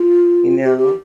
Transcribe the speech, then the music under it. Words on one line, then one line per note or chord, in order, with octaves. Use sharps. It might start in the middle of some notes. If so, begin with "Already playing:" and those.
You know?
Already playing: F4
G4
G4